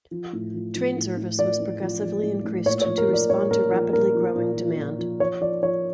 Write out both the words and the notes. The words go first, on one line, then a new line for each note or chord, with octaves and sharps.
Train service was progressively increased to respond to rapidly growing demand.
F3
A2
F3
F3
A2
A2
F3 D5
A2
F3
F3
A2
A2
A#2 C#5
C#5
F3
A#4
F3 D5
A#2 C#5
A#2 A#4
F3
A#2 A#4
F3
A#2
F3
A#2
F3
F3 C#5
F3 D5
F3 C#5